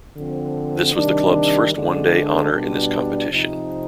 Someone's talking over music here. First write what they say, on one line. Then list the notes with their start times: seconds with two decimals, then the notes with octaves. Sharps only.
This was the clubs first one day honour in this competition.
0.16 D3 F3 C4
0.94 C3 D#3 G3 D4
1.73 D3 G#3 D4
2.51 B2 G3 D4
3.30 C3 F3 C4 D#4